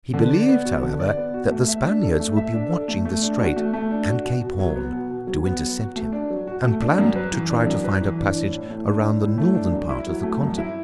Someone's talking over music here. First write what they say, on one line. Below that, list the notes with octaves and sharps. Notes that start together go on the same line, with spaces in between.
He believed, however, that the Spaniards would be watching the Strait and Cape Horn to intercept him, and planned to try to find a passage around the northern part of the continent.
D3
D5
B3
F#4
D3
D5
B3
F#4
A3
E5
D4
A4
A3
E5
D4
A4
A3
A3
D4
F#4
A3
A3
D4
F#4
B2
B2
F#3
B3
B2
B2
F#3
B3
F#3
F#4
A3
D4
F#3
F#4
A3
D4
F#2
B4
E3
D4
F#2
B4
E3
D4
A2
A2
A3
D4
A2
A2
A3
D4
F#2
E4
F#3
A3
F#2
E4